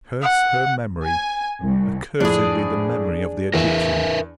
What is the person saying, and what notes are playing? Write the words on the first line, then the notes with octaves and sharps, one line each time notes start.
"Curse her memory--accursed be the memory of the Egyptian."
F#5
G#5
C2
F2 A2 D4 G#4
E2 A#4 B4 E5